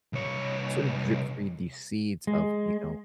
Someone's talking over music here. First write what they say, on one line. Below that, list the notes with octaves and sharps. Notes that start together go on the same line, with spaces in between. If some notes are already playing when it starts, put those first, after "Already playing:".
sort of drip-feed these seeds of, you know,
C2 C#5
G#3